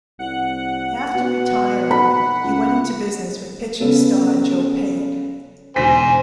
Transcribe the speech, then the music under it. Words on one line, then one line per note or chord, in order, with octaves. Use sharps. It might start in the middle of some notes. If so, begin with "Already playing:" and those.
After retiring, he went into business with pitching star Joe Pate.
C2 F#5
B2
B5
C#2
C#3 B3 A4
E1 C5 G#5 B6